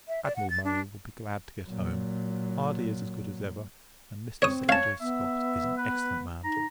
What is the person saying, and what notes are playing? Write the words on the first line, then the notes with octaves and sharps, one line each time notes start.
Admiral Murray will be glad to get home; Hardy is as good as ever; and Mr. Secretary Scott is an excellent man.
E5
D5
F#5
A6
D4
A#2 F#3
C4 C#5 D#6
C#5 F5 A5
B3 E5
B4
D#4 A#5